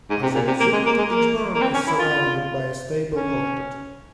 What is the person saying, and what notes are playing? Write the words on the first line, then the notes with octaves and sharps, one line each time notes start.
As a result, each boron is surrounded by a stable octet.
G#2
C3
A#2
C3
A#3
G#3
A#3
G#3
A#3
A#3
C4
C#4
E4
F4
C#4